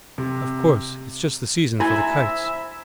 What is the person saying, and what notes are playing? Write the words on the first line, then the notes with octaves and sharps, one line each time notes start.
Of course, it's just the season for the kites.
C3
E4 C5 E5 G#5 B5 G#6